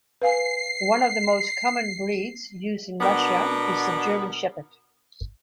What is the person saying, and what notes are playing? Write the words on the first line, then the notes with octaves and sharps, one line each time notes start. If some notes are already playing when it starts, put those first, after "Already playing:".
One of the most common breeds used in Russia is the German Shepherd.
B4 F5 G#5 C7
B2 B3 D4 A#4